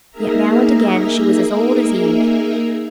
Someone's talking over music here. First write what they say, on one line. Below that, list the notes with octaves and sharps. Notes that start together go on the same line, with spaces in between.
Yet now and again she was as old as Eve.
A#3 D#4 G#4 A#4 E5 A#5